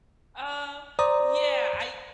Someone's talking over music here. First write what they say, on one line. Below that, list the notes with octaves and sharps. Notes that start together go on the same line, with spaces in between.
Um, yeah, I
C5 D5 A#5 D#6